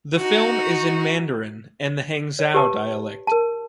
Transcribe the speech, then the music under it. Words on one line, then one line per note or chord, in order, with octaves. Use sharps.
The film is in Mandarin and the Hangzhou dialect.
D#4 F#4
C#5
G4 B4 A5
A#4 A5